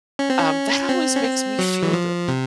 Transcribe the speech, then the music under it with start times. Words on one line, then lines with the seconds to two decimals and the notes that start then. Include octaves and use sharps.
Um, that always makes me feel good.
0.19 C#4
0.30 C4
0.39 C#4
0.89 C4
1.15 C#4
1.24 C4
1.59 F#3
1.83 E3
1.93 F3
2.28 C3